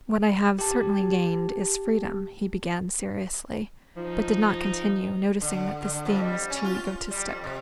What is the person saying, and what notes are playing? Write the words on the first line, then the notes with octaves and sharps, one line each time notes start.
"What I have certainly gained is freedom," he began seriously, but did not continue, noticing that this theme was too egotistic.
G4 A5
F3 D#4
D3
D3
F2
G3
C#4
F4
G3
F2
C3